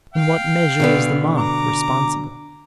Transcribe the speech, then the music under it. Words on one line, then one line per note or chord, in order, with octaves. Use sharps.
In what measure is the moth responsible?
F5 G5
B2 D3 B3
A#5 D6